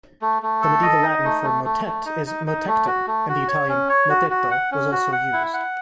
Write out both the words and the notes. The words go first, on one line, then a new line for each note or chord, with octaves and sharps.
The Medieval Latin for "motet" is "motectum", and the Italian "mottetto" was also used.
A3
A3
A4
D#5
D#4
A3
A3
A3
A3
D#4
D#4
D#4
A3
F#4
A3
F#4
C#5
C#4
C#5
F#4
F#4
F#5
C#4
F#4
F#5
E4
F#5